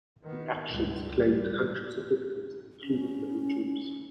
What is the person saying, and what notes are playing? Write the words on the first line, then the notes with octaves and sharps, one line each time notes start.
The actions claimed hundreds of victims, including many Jews.
D#3 B3
C#2 G2
G3
C#4